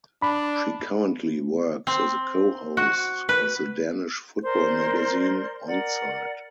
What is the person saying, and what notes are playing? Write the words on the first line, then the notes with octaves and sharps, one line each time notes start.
She currently works as co-host of the Danish football magazine, Onside.
D4 B5
C4
F#4
B4
A#4 C5 D5 C6
A#4 D5 F#5